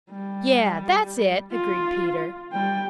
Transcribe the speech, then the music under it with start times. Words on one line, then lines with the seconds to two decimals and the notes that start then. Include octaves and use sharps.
"Yes, that's it," agreed Peter.
0.10 G3
1.52 F4
2.52 G3 G5